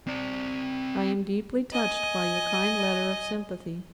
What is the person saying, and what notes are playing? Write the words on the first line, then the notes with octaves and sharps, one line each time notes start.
I am deeply touched by your kind letter of sympathy ...
C4 D5
D#5 G#5